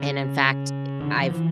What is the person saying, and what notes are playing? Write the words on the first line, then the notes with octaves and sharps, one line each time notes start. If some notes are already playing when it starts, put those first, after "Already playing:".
and in fact, I've
Already playing: C#3
D3
F3
E3